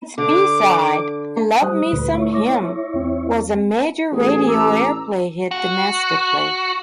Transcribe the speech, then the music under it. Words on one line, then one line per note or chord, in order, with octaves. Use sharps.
Its B-side, "I Love Me Some Him", was a major radio airplay hit domestically.
D3 D6
G3 C5 D#6 F#6
D2 A#2 D3 B4
A3 E4 C#5
C#6 D6 A#6
E2 C4
A1 G#4
A#5 D6 E6
F#4